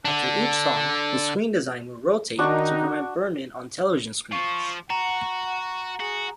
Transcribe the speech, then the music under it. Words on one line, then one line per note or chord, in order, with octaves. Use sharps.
After each song, the screen design will rotate to prevent burn-in on television screens.
D3 D4
D#3 D4 D#4 F#4 C#6
F3 F4 C#6
F#4 F#5 A#5
F#4 G#4